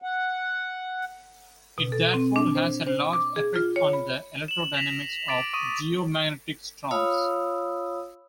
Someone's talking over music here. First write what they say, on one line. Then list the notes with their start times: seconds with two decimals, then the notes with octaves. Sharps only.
It therefore has a large effect on the electrodynamics of geomagnetic storms.
0.02 F#5
1.78 B2
1.92 A4
2.14 C4
2.36 D4
2.55 C5
2.86 C5
3.13 D6
3.36 G#4
3.56 F4
3.76 C#5
3.93 B5
4.48 E7 F#7
4.75 A#6 B6 E7 F7
5.28 D6 A6 B6 D7
5.53 C#6 D#6 D#7
6.91 F4 C#5 F5 B5 D#6 E6